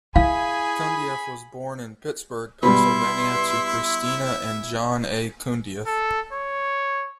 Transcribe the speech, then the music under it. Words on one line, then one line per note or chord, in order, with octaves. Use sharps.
Cundieff was born in Pittsburgh, Pennsylvania to Christina and John A. Cundieff.
E4 G#4 F5 G#5 B5
B2 G3 E4 B4 E5 C6
A4
C#5